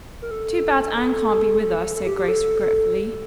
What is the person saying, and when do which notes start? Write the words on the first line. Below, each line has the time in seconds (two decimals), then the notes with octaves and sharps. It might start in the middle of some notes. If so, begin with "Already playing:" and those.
"Too bad Anne can't be with us," said Grace regretfully.
0.22 A#4
0.31 A4
0.97 A4
1.96 A4
2.07 G4
2.17 G4
2.28 A4
2.62 A4